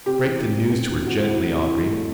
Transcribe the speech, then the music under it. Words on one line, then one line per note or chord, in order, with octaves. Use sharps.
Break the news to her gently, Aubrey!
C3 G4
E3
D2
A3
C3
E3
D2 F#4
E4
A3 F#4
C3
E3 E4
D2
A3